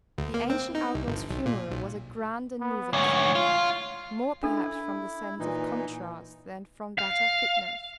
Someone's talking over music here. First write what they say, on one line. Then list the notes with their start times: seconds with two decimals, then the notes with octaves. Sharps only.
The ancient outlaw's funeral was a grand and moving sight; more perhaps from the sense of contrast than from that of fitness.
0.18 D2
0.34 A#3
0.50 C4
0.75 D#4
0.94 C2
1.08 G1
1.29 B1
1.46 A#2
1.71 B1
2.61 B3
2.93 D2 G#2 C#5
3.35 F4
4.43 D4 E4 A4
5.40 A#2 E3 D#4
6.99 F5